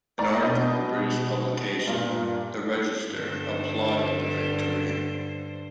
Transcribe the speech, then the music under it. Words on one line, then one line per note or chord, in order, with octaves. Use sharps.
An article in British publication "The Register" applauded the victory.
D5 A#5 C#6
B2 D4 D#5 B5 G6
G2 A#2
G2 D3 C5